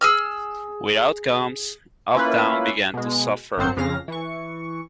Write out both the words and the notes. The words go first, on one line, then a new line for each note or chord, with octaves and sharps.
Without Combs, Uptown began to suffer.
G#4 E6 F6
A#3 C#4 E4 F4 B4
B2 G#3
G#1 F#2 F#3 C4 C5 C#7
F2 C#3 F5 A#6
E3 C#6